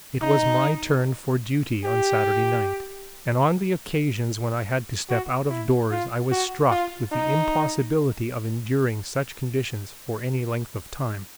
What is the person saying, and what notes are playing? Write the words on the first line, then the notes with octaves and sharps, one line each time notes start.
It was my turn for duty on Saturday night, and on the occasions when I had to step out of doors I was struck with the impossibility of enduring such conditions for any length of time.
D#4
G4
F#4
E4
F4
F#4
F4
D#4